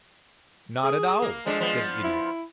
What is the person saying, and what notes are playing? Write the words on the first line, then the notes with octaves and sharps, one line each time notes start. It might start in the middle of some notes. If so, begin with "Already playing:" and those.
"Not at all," said the Idiot.
G#4
A#3
F3 G#3 A3 D4
F3 B3
E4